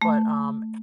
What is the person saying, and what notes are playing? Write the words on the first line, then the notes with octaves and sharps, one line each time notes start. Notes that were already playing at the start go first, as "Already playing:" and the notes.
but, um,
A3